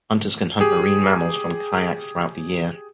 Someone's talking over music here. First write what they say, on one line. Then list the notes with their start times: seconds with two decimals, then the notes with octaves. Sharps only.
Hunters can hunt marine mammals from kayaks throughout the year.
0.60 G4 G#4